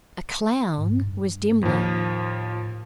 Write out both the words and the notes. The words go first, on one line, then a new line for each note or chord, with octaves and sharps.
A clown was Dimmler.
G#2
G2
D#2 A2 F3